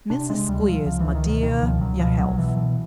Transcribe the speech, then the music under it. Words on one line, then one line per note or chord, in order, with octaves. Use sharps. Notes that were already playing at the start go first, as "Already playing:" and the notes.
Mrs Squeers, my dear, your health!'
C3 D4
C3 G#3
D2 G3
C3 F3
C#2 F3
E3
C#2
D#3
B2 D#3
B2 D#3
C#2 F3
C#2 F#3
B2 F3
B1 F#3
B2 E3
B2